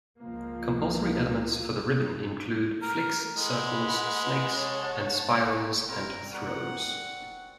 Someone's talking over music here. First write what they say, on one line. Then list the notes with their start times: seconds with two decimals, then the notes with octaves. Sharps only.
Compulsory elements for the ribbon include flicks, circles, snakes and spirals, and throws.
0.19 C#2 F3 A#3
2.82 A3 A#4
3.37 G#3 B4 F#5 B5
4.54 C#5 F#5 A5
5.88 G3 C4 A#4
6.32 F#4 A#4 D5 F#5